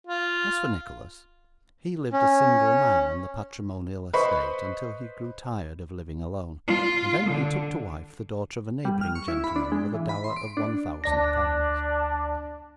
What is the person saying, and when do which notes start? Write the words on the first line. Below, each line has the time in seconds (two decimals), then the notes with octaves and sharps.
As for Nicholas, he lived a single man on the patrimonial estate until he grew tired of living alone, and then he took to wife the daughter of a neighbouring gentleman with a dower of one thousand pounds.
0.07 F4
2.13 C#4
4.13 B4 C5 D#5 B5 C#6
6.68 F4
7.27 D3
8.85 G3
9.01 F6
9.15 C#6
9.28 E4
9.44 B5
9.56 D4
9.72 G#3
9.94 E3
10.09 B5
10.24 C6
10.36 D7
10.57 D4
11.04 D2 D4 D5 A#6